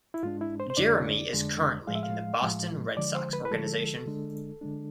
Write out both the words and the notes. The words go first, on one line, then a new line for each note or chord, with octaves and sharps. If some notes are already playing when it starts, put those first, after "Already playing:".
Jeremy is currently in the Boston Red Sox organization.
E4
G#2 G#3 D4 F4
E4
C5
C5
F2 D3 G#3 D4 D5
F2 D3 G#3 D4
A2 F3 G#3 F5
E5
F5
A2 F3 G#3
D3 F3 G#3 D5
C5
B4
B4
D3 F3 G#3 A4
D3 G#3 D4
D3 G#3 D4